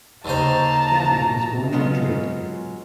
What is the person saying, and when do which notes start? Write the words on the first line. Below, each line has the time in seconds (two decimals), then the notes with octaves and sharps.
Gabi was born in Madrid.
0.25 D#2 C#3 C5 A5 A#5
1.72 F#3 G#3 B3 C#4 F4